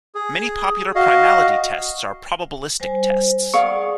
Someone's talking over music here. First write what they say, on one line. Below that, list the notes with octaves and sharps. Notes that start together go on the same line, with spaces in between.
Many popular primality tests are probabilistic tests.
G#4
F#4 D#5 F5
G3 C5 G#5
G#4 D5 F5 F#5 C#6 D#6